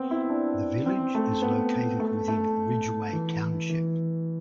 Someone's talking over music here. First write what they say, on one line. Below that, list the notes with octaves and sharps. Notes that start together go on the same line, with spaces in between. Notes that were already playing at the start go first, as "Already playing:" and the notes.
The village is located within Ridgeway Township.
Already playing: B3 C4
E4
D4
C4
A3
B3
A3
A3
E3
E3